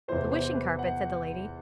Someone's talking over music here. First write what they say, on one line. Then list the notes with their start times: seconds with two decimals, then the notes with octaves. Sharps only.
'The wishing carpet?' said the lady.
0.08 E2 C3 E3 B3 C5
0.32 C5
0.56 B4
0.79 F#5